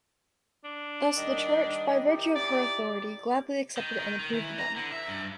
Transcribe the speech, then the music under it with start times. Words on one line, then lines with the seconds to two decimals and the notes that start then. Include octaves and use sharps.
Thus the Church, by virtue of her authority, gladly accepted and approved them.
0.64 D4
1.17 D#3 G3 D#5
2.07 D#4 E4 G4
2.35 D5
3.77 D#3
3.99 D#3
4.20 D#3
4.33 E3
4.60 A#5
4.76 D3
4.92 E5
5.08 G2